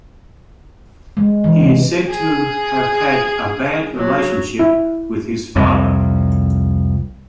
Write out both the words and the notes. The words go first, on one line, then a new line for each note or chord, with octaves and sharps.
He is said to have had a bad relationship with his father.
G#3
E3
C3
G#4
F#3
E4
C2 F2